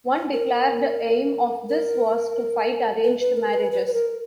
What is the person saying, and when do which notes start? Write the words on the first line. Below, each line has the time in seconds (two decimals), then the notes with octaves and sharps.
One declared aim of this was to fight arranged marriages.
0.33 A#4
1.69 A#4
3.04 B4
3.20 B4
3.37 A#4
3.54 B4
3.72 B4
3.87 B4
3.94 A#4